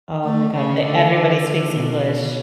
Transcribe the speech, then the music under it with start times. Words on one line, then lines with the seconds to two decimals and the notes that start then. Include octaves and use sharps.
Oh my god. Th everybody speaks English.
0.24 A3
0.55 C#3
0.84 D3
1.74 B2